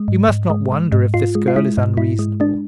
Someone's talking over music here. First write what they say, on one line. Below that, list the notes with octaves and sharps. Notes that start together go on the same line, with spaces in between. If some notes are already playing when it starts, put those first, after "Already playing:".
You must not wonder if this girl is unreasonable.
Already playing: G#3
G#2
G#2
G#3
G#3
G#2
G#2 F4
G#3
F4
G#3 E4
G#2
G#2 E4
G#3
G#3 D4